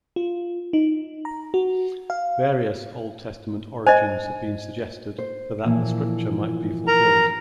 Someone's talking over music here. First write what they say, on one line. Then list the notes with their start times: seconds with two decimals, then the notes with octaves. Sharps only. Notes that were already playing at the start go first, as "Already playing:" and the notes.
Various Old Testament origins have been suggested for that the scripture might be fulfilled.
0.16 F4
0.73 D#4
1.25 A#5
1.54 F#4
2.10 F5
3.87 C5 D#5 G#5
5.19 C5
5.64 A#2 E3 F3
6.87 A#4 A#5